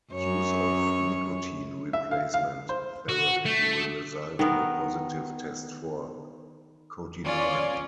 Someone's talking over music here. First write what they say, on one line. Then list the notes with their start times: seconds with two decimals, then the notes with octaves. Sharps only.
Use of nicotine replacement therapy will result in a positive test for cotinine.
0.12 F#2 C#5
1.93 E5
2.11 F5
2.34 F5
2.69 C5
3.09 F#4
3.46 A3
4.39 D#3 B3 A#4
7.24 C#4 F4 D5